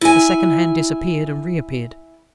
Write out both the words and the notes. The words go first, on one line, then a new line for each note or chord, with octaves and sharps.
The second hand disappeared--and reappeared.
E4 G#5